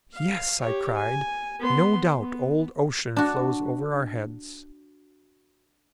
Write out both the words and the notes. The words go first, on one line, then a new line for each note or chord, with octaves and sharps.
"Yes," I cried, "no doubt old Ocean flows over our heads!"
F5
G4 C#5
G#5
B3 C6
B3
D4 F#4